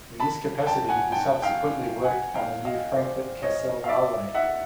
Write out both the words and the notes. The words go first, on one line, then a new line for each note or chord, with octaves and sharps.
In this capacity he subsequently worked on the new Frankfurt - Kassel railway.
A5 B5
G5 A5
F#5 G#5
G5 A5
F5 G5
F#5 G#5
F5 G5
D#5 F5
C5 D5
C#5 D#5
F5
D5 E5
E5 F#5